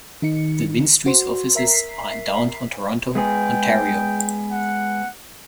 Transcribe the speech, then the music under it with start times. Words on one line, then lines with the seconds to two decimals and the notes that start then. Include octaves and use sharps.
The Ministry's offices are in downtown Toronto, Ontario.
0.22 D#3 D#4 C#7
1.06 F#4 C5 C6
1.55 A#4 E5 A#5 B6 C7
3.15 G#3 B3 G#4 G5
4.51 F#5